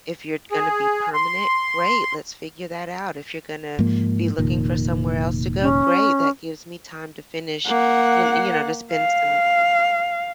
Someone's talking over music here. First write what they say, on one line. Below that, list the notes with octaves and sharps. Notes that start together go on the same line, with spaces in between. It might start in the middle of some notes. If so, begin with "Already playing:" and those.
If you're gonna be permanent, great, let's figure that out, if you're gonna be looking for somewhere else to go, great that gives me time to finish, you you know, to spend some
G#4
C6
G#2 F3 A#3
F1 A#2 D#3
C#4
A#3 F#5
F5